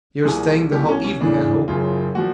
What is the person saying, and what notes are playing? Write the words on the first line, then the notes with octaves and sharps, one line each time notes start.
"You are staying the whole evening, I hope?"
C2 A#2 F3 G#4
C2 B2 G4
C#4
C#4
E2 C#3 E3 D4
F#1 F#2 C#3 F4
A#2 F3 F#4